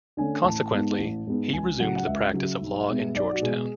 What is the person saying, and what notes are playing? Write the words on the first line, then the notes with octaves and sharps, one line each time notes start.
Consequently, he resumed the practice of law in Georgetown.
D3 A3 C#4 G#5
A1 A5
G#2 G#3 B3
A1
G#2 G#3 B3
C#2 G#5
C#3 F#3 F#5
F#5
C#2 E5
C#3 F#3
B1
B2 G#3 B3
B1 D5
F#4
B2 G#3 B3 G#4